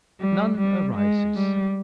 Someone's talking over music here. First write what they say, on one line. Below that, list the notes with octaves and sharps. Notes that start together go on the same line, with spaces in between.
None arises.
G3
G3
G#3
G3